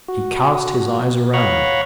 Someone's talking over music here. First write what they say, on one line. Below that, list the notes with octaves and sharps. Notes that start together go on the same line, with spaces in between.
He cast his eyes around.
F#4
C#5 F5 F#5 A#5 B5 C#6